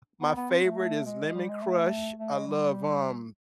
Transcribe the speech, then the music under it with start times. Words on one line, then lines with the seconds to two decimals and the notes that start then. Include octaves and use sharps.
My favorite is Lemon Crush. I love, um,
0.22 B3
0.36 B3
0.50 C4
0.64 A3
0.79 A3
1.06 G#3
1.35 G3
1.49 G#3
1.62 A3
2.19 A3
2.32 G#3
2.47 G3